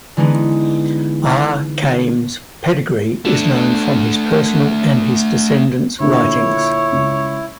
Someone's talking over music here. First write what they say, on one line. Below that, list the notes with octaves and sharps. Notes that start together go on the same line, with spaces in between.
R. Khaim's pedigree is known from his personal and his descendants' writings.
D3 E3 G#3 B3 D#4
A3 D4
A#2 D3 E4 C#5
C#2